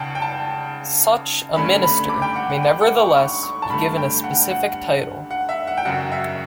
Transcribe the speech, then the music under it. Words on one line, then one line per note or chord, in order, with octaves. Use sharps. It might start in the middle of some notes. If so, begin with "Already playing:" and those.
Such a minister may nevertheless be given a specific title.
Already playing: C#2 C#3 F#5 G5 A5
G5
A5
G2 D3 A3 C#4 B5
B5
D6
G5
F#5
F#5
G5
F#5
C#6
C#6
C#6
A5
G2 D3 A3 B5
G5
F#5
F#5
F#5
E5
F#5
G5
F#2 C#3 F#3 F#5
E5